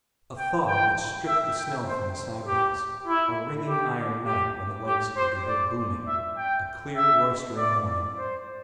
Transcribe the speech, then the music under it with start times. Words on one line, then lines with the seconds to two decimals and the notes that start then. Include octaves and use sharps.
A thaw which stripped the snow from the sidewalks; a ringing iron night when the lakes could be heard booming; a clear roistering morning.
0.38 G5
0.68 G5
1.28 E5
1.58 G5
1.87 C5
2.47 G4
3.07 E4
3.68 G4
4.27 G4
4.87 G4
5.17 C5
5.47 D5
6.08 E5
6.37 G5
6.97 E5
7.57 D5
8.17 C5